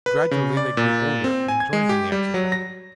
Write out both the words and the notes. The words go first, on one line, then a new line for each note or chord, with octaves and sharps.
Gradually they grew bolder, and joined in the exercise.
B4
C#3
D5
A#2
C4
G#5
G#6
G#3
G4
G3
F#3
A#6